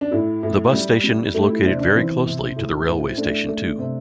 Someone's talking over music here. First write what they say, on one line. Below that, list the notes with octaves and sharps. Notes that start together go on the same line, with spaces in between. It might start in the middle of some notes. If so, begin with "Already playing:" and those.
The bus station is located very closely to the railway station too.
D4
A2 E4
A2
G3
G3
A3 G4
E4
C3 D4
D4
E3 C4
C3
A2
A2
A3 D4
A3
C3